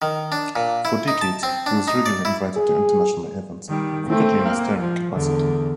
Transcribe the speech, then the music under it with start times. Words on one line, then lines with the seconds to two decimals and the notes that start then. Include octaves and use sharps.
For decades he was regularly invited to international events, frequently in a starring capacity.
0.02 D#3
0.32 D4
0.56 A#2
0.85 E4
1.08 D#4
1.21 A5
1.43 C4
1.66 D4
1.88 D#4
2.06 D5
2.25 E4
2.57 G#4
3.69 D#3 G3
4.07 A3 C4
4.43 A#3
4.80 F3
5.13 E2 D3